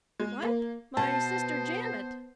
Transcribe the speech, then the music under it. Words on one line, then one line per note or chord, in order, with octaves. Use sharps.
"What! my sister Janet?"
G#3
A#3
B2 B3 C5 A5